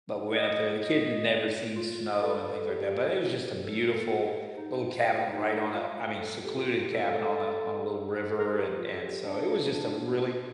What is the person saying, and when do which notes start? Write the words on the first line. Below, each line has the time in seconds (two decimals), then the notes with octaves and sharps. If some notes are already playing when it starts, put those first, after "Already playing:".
But we went up there, the kids had never seen snow and things like that, but it was just a beautiful little cabin right on a I mean, secluded cabin on a on a little river, and and so it was just a really,
0.36 D#5
0.82 D#5
1.76 F4
2.22 A4
2.69 G4
3.16 G4
3.63 A4
3.94 A4
4.18 A4
4.26 G4
4.56 D#4
4.69 D#4
4.80 F4
5.04 F4
5.27 D#4
5.50 D#4
5.73 F4
6.20 A4
6.44 G4
6.55 F4
6.67 G4
6.91 A4
8.31 A4
8.39 A#4
8.46 A4
8.53 G4
8.77 F4
8.92 A4
9.01 G4
9.24 D4
9.71 D4
10.18 F4